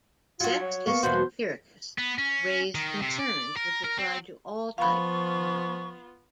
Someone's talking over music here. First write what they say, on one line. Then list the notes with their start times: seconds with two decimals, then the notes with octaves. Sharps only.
Sextus Empiricus raised concerns which applied to all types of knowledge.
0.40 F#3 F4 F#4
0.61 C#5
0.87 A#3 B3 F5 C#6
1.03 E2 B2 F#4 C5
1.98 B3
2.18 C#4
2.75 D#3
3.02 C3
3.19 D5
3.56 A#4
3.84 A#4
3.98 C4
4.78 F3 B3 F4 F5 B5 C#6